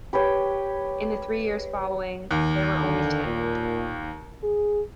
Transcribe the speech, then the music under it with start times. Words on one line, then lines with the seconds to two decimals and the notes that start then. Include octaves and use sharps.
In the three years following, there were only ten.
0.13 G4 B4 C#5 G5
2.31 D#2
2.79 D3
3.26 A#2
4.43 G#4